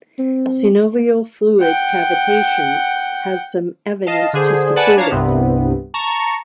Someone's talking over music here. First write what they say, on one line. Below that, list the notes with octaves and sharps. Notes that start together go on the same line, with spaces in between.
Synovial fluid cavitation has some evidence to support it.
C4
F#5 G5
D#5 F5 A5
D3 G#4 C5
B4 D5 F#5 G#5 A5 B5
D4 C#5 F5 A5 A#5
C2 G2 C3 B3
A5 A#5 C#6